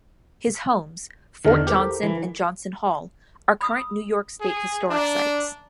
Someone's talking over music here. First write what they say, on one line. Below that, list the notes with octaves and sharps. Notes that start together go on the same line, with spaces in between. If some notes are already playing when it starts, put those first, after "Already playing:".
His homes, Fort Johnson and Johnson Hall are current New York State Historic Sites.
E2 D3 D#3 A4 F6
G4 A4 A#4 C5
E3
B5 D#6 E6
G#4
D4 E5 A#5